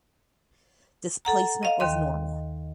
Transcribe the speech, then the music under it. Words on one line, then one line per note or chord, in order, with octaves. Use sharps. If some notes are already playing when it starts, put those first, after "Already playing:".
Displacement was normal.
A4 F#5 A#5
D#5 F5
D#2 D#3 D#5 C6